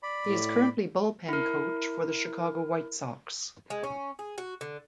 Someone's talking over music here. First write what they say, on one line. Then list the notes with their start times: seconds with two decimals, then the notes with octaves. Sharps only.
He is currently bullpen coach for the Chicago White Sox.
0.03 D5 B5
0.27 A2
1.29 E4 A#4
3.70 G#3
3.84 C#4
4.19 G#4
4.38 F#4
4.61 D3